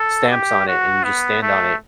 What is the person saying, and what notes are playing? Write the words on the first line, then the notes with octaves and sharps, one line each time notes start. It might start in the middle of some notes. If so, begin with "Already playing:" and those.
stamps on it, and you just stand on it,
Already playing: A4
G4
F#4
B3
A3